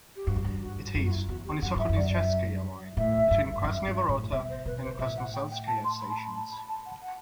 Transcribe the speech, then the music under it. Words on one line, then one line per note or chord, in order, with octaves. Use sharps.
It is on the Sokolnicheskaya Line, between Krasnye Vorota and Krasnoselskaya stations.
G4
G2 F#4
F#2
G2
F#4
F#2 E4
F#4
E4
E2 F#4
G4
F#2 F#5
G2 E5
F#2
D5
E5
A2 E5
G2
F#2
G2
A2
B2 E5
C5
B2 B4
C5
A2 E5
F#5
G5
G5
A5
C6
B5
A5
B5
A5
B5
A5
F#5
F#5